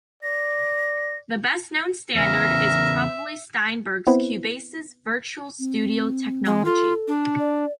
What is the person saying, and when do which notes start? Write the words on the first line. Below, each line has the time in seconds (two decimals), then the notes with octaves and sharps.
The best known standard is probably Steinberg Cubase's Virtual Studio Technology.
0.23 D5 A#6
2.15 E2 C#3 A#4 E5
4.07 B3 C4 E4 B4 C5
5.59 C4
6.46 G#3
6.65 F4 A4
7.08 D4
7.39 D5